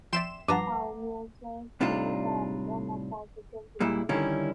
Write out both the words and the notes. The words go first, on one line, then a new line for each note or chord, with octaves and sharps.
Allmusic gave the album a positive review.
F2 D5 E5 G5 C6 E7
G2 F3 B4 F#5 A5 A#5 D6
A2 C3 G3 D4 D#4 F4
A#2 G3 G#3 E4
D3 D#3 G3 C#4 E4